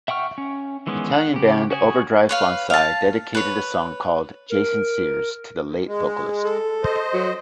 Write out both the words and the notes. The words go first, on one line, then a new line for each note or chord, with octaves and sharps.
Italian band Overdrive Bonzai dedicated a song called "Jason Sears" to the late vocalist.
E5 F#5 G5 C#6 F6
C#4
D#3 E3 G#3 B3 C#4
F#5
C#3 G4
C#4 F#4 G#4 G#5
B4 C#5 F5
F5 A5
B4 C#5
A#4
G#3
A4
C5 D#5
F#3